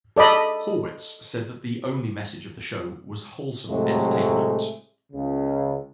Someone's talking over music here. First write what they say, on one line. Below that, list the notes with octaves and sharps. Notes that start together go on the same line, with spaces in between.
Horwitz said that the only message of the show was "wholesome entertainment".
A4 D5 D#5 B5
A2 C3 F#3 G#3 A3
C#2 C#3